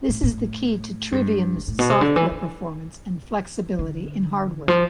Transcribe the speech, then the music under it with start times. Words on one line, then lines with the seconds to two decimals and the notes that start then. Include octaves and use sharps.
This is the key to Trivium's software performance and flexibility in hardware.
0.09 A2
0.23 A2
1.12 G2
1.57 F2
1.68 A2
1.79 B2
1.90 C3
2.01 D3
2.16 E3
2.31 F3
3.79 D3
4.68 F3